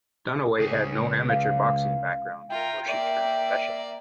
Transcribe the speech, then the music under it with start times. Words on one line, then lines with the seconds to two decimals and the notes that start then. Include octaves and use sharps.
Dunaway had no amateur boxing background before she turned professional.
0.60 C#2 G#4
1.30 F5
2.50 F4 A#4 E5 G5
2.87 A#3 D5 E5